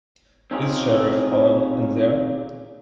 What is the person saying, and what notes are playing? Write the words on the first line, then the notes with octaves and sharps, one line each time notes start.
Is Sheriff Helen in there?
C4 C#4 D#4 F4 G4 G#4